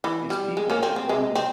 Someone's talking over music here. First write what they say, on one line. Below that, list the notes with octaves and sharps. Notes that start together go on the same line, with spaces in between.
these people that run
E3
G3
G#3
A#3 C#4
C4
C4
G#3
C4